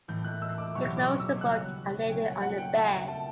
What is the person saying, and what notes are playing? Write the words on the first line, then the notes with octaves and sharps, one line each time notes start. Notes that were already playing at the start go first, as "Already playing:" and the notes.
He closed the book, and laid it on the bed.
A2 E3 A3 E4 G6
F#6
E6
D6
B2 F#3 B3 E4 G4 C#6
D6
E6
C#3 G3 B3 F#4 F#6
C#3 F#3 C#4 G5
F#5
F#5
G5
A3 E4 A4 F#5
G5
A5